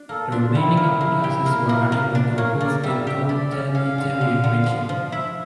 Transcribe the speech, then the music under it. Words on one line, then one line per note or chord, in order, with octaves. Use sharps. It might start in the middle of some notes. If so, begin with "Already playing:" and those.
The remaining upper classes were unable to oppose the totalitarian regime.
Already playing: D4
A#3 A4
D4 F4
G3 E4
A#3
A#3
G4
A#3
A#3
A#3
D4
A#3 C#5
A#3 D5
G3 E5
G4 E5
E4 D5
C#4
C#4 F5
D3
D3
D3
F3
F3
E4 E5